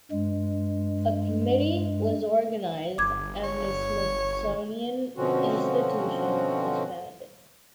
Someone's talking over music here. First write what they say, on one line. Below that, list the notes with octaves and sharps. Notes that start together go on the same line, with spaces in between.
A committee was organised and the Smithsonian Institution was founded.
G2 G#3
G1 D6 G#6
C#5
B2 D3 F3 C4 C#4 F#4